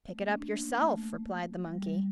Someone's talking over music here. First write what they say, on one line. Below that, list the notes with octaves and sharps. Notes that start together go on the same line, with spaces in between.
"Pick it up yourself," replied the monkey.
A3
A#3
C#4
D4
A#3
A#3
A3
G3
G3